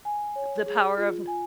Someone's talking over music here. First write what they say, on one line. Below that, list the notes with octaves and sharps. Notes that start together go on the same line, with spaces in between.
The Power of N
G#5
C#5
G#4
F4
G#5